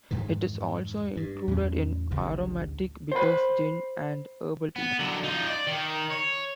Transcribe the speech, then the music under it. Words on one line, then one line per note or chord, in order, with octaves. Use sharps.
It is also included in aromatic bitters, gin and herbal teas.
F2 G#2 D#3 E3
G2
E2 A2 F#3 C#4
A1 D2 G2 C#3
C5 B5
B3
D3 F#3
D#4 F4
D5
D#3
C#5